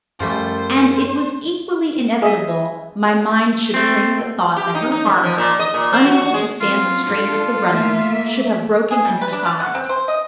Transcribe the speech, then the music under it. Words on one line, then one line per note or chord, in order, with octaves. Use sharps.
And it was equally inevitable my mind should frame the thought that her heart, unable to stand the strain of the running, should have broken in her side.
F#2 F3 G3 A3 C5
G#4 D#5 E5
A3 C4
G4
D#4
D#4
F#2
F3
A#2
D#5
A#2
C4
F#4
F#4
G#3
F#3 C4 F4
D4 F4 A4
A3 A#3 E5
G#4
G3
B4
D4
A5
F#5
C4
C5
D#5